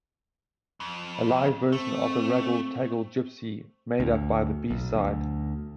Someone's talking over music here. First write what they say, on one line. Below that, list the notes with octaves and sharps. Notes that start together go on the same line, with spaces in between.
A live version of "The Raggle Taggle Gypsy" made up the B-side.
F2
A3 C4
D2
B1
D2